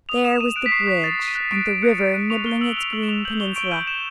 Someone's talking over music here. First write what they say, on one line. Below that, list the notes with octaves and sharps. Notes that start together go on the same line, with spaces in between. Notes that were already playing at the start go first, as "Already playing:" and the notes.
There was the bridge, and the river nibbling its green peninsula.
D#6 F7
D#6 E7
D#6 D#7
F#6 D7
B6
C#6 C7
C#6 B6
C#6 A6
C#6
D#7
F#6
C#6 D7
F#6 D7
F#6 C#7
F#6 D7
F#6 D#7
C#6 F7
C#6 G7
E6 F#7
E6 F7
E6 F#7
E7
C#6 F7
G6 F#7
C#6 G7
C#6 D7
G6 D#7
G6 E7